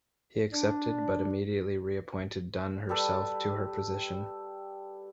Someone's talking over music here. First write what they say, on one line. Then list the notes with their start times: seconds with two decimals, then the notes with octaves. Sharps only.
He accepted but immediately reappointed Dunn herself to her position.
0.52 D4
2.89 G3 G4 A4 B4